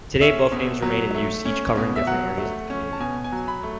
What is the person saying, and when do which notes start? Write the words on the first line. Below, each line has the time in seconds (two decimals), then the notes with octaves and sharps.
Today, both names remain in use, each covering different areas of the community.
0.21 C#4 E5
0.52 B2
0.82 F#3
1.14 A3
1.45 C#4
1.77 B2
1.96 E5
2.07 F#3 F#5
2.39 A3
2.70 C#4
2.93 A5
3.00 B2 G#5
3.24 G#5
3.32 F#3
3.48 B5
3.63 A3